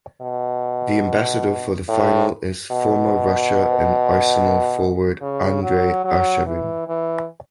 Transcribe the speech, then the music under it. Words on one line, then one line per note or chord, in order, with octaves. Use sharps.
The ambassador for the final is former Russia and Arsenal forward Andrey Arshavin.
B2
A2
B2
C#3
F#3
F#3
E3
E3